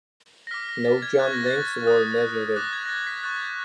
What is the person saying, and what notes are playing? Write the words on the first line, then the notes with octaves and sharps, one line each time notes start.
No jump lengths were measured.
A#6
D6 F6 B6
A#6
A6
G#6
C#6 F#6 A6
A#6
A6
D#6 F#6
D6 F#6 A#6
G#6
A#6
A6
B6
C#6 F#6 A6
G6